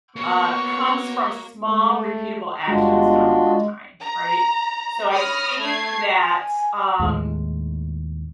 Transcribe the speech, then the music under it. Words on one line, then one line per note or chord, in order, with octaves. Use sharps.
uh, comes from small repeatable actions done over time, right? So I think that, um,
A#3 B3 F#4 C#5 C#6
G#3 A3
G1 G3 G#3 D4 F4 F#4
A#5
C#5 B5 D#6 F6 A#6
A3 G#6 C7
G#5
D#2 A2 G#3